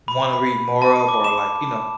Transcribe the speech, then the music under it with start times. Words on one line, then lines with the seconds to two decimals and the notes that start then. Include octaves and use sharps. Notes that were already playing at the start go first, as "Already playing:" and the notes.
wa wanna read more of or, like, you know.
0.08 B5
0.33 B5
0.82 A5
1.08 D6
1.24 E7